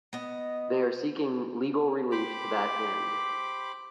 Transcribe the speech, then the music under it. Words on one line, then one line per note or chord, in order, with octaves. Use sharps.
They are seeking legal relief to that end.
B3 D#5
G4 C5 B5 D6